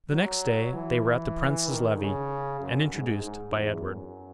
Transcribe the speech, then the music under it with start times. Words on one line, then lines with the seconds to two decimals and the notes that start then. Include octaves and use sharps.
The next day they were at the prince's levee, and introduced by Edward.
0.11 F#3
0.74 E3
1.68 D#3
1.99 C#3
2.61 F#2
2.93 G#2
3.23 G#2
3.56 E2
3.87 F#2